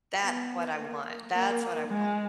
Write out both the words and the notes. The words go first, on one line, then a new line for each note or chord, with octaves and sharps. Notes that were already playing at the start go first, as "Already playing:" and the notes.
That's what I want, that's what I want,
B3
A#3
A#3
G#3